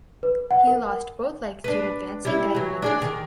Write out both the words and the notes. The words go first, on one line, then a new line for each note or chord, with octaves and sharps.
He lost both legs due to advancing diabetes.
B4
F#5
A#4
D4 B4
G3 E4
E3 F#3
D4 G#4 D5
D#3